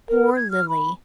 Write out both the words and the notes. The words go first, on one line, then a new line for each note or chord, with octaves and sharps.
Poor Lily!
A#4
G#6
F6
B5